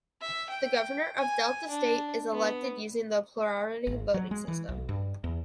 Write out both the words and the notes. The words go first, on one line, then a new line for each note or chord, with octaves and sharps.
The Governor of Delta State is elected using the plurality voting system.
E5
G5
G#5
D4
B3
G#1
F#3
G#3
E3
B1
G2
E2